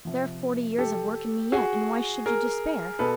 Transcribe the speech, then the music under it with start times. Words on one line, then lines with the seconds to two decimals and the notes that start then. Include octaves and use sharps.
There are forty years of work in me yet, and why should you despair?
0.05 C3 F3
0.79 G4 A4
1.52 F#4 G#4
2.26 G#4 A#4
2.99 B2 A4 B4